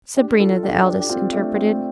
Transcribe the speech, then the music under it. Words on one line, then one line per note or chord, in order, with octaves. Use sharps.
Sabrina, the eldest, interpreted.
D4 G4
F4 A4
D4 G4
D4 G4
G4
C4 F4
A3 D4
C4